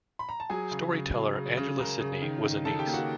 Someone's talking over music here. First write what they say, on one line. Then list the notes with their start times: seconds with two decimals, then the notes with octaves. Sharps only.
Storyteller Angela Sidney was a niece.
0.19 B5
0.29 A#5
0.40 A5
0.50 F#3 G#4 G#5
0.72 C#3
0.93 C#3
1.15 F#3
1.36 C#3
1.57 C#3
1.79 C#3 A#4 A#5
2.00 C#3
2.22 D#3
2.43 D#3
2.65 D#3 A4 A5
2.79 G4 G5
2.87 A#3
2.94 F#4 F#5